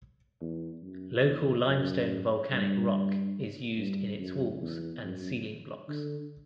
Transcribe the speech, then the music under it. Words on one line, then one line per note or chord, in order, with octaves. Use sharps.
Local limestone volcanic rock is used in its walls and ceiling blocks.
E2
F#2
E2
F#2
G2
G2
F#2
E2
F#2
D3